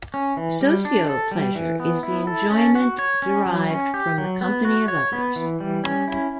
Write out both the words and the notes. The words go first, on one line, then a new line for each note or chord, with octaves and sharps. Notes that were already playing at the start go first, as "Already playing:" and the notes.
Socio-pleasure is the enjoyment derived from the company of others.
C#4
E3
G3
D4
A4
G3
E3
B3
E4
A4
C#4
F#4
C#5
C#4
F#3
C#4
G4
F#3
B3
F#4
C#5
B3
E3
G3
C#4
E4